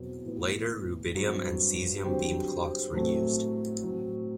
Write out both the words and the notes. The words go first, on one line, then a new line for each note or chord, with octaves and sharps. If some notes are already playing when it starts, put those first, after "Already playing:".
Later rubidium and cesium beam clocks were used.
Already playing: E2 B2 F#3 C4
A2 E3 B3 E4
G2 F#3 C4
D3 F#3 C4 G4 C5
A2 F#3 A3 C4
A2 F#3 C4